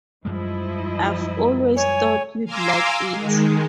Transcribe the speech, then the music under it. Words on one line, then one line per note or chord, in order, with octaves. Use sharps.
I've always thought you'd like it.
F#2 F3 G3 G#3 E4 D#5
C#5 G#5
F5 G#5 A#5 C6 D6 E6
D#3 G#3